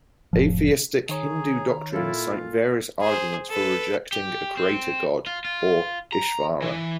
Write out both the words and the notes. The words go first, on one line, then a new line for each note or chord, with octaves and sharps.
Atheistic Hindu doctrines cite various arguments for rejecting a creator God or "Ishvara".
F1 A2 F3
D#3 G#4 C#5 A#5
A#2 E4 F4 A4
G#4 C5
A4 B4
G4
C4
F4
F4
A#5
E3